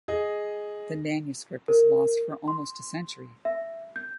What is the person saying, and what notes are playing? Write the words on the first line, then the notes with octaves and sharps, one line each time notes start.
The manuscript was lost for almost a century.
G#4 D#5
A#4
C6
E5
G6